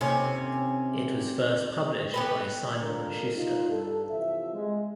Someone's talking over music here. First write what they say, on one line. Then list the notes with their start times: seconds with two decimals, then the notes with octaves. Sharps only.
It was first published by Simon and Schuster.
0.01 D#2 C3 C#4
2.14 B3 G4 B4
2.78 F2 D3 A#3 D4 A#4
3.35 D#4 F4
3.68 G2 A4
4.10 C3 E3 F3 E5
4.53 G#3